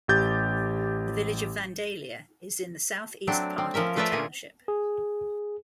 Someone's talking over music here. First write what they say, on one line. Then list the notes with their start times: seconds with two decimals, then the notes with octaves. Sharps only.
The village of Vandalia is in the southeast part of the township.
0.08 A1 G4 G6 A6
3.27 F#3 A3 C4 D4
3.58 C4
3.74 F3 C#4 A#4 E5
3.96 A3 F4 B4 D5 E5 A#5
4.12 A#2 A#3 C#4 G#4 G#5
4.68 G#4